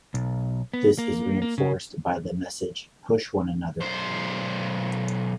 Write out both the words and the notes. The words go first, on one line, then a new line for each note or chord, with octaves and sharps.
This is reinforced by the message Push One Another!
B1
B3
A#3
A#3
C#3
B1 C5